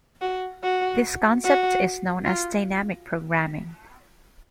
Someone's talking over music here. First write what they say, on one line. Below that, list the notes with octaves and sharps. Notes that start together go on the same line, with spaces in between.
This concept is known as dynamic programming.
F#4
F#4
F#4
F4